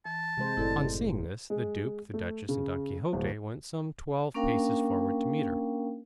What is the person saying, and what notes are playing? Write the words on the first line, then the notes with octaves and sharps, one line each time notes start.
On seeing this the duke, the duchess, and Don Quixote went some twelve paces forward to meet her.
E3 A5
C3 G#3 C5
F#1 A2 E4 A4 D5
G#3
A3
C#3
D1
A#3 C#4 D4 A#4 F5 G5